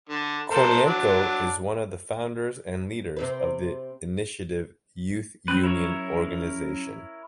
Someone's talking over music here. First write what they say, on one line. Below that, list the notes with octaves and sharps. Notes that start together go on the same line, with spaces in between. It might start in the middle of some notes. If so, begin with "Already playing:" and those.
Kornienko is one of the founders and leaders of the Initiative Youth Union organization.
D3
A4 A#4 C5
F#3 D4
C3 C4 B4
F#3 C4 C#4 B4
E4 A#4 C#5